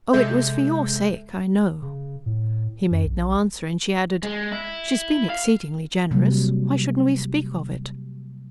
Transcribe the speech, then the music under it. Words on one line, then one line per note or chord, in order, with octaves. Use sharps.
"Oh, it was for your sake, I know!" He made no answer, and she added: "She's been exceedingly generous...Why shouldn't we speak of it?"
C3 G#3 A4 E5 G6
C#3
A2
F#2
A#1
G#3
E4
F5
C3 F#3 G3 A#3